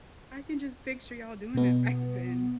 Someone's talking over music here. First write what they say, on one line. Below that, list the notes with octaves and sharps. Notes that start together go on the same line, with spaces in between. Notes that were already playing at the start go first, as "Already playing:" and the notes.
I can just picture y'all doing that back then
B2 B3